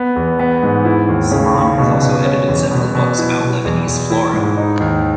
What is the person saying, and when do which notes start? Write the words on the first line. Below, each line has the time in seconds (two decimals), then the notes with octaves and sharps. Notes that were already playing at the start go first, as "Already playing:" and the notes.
Semaan has also edited several books about Lebanese flora.
Already playing: B3
0.16 E2
0.39 B3
0.63 G#2
0.85 E4
1.08 D#2
1.31 C#3
1.54 C#3
1.78 B2
2.02 B2
2.25 C#4
2.48 E2
2.71 B2
2.95 B2
3.18 E4
3.41 B2
3.65 E2
3.87 E2
4.10 E4
4.33 G#2
4.57 D#4
4.80 D#2